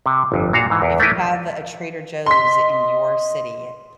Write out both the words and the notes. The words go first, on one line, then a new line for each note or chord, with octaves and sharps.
If you have a Trader Joe's in your city,
C3
G1 F2
A#2 F#4 F5 A#5
G#2 E3
E2
A3 A#3 E4 B4
D#5 C6 B6